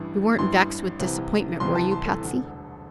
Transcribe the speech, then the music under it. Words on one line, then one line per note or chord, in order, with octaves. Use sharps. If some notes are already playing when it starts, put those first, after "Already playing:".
"You weren't vexed with disappointment, were you, Patsy?"
Already playing: A1 G2 E3
A1 G2 E3 C6
C2 C3 E3
C2 C3 E3 C6
A5
C6
A4
E1 D2 D3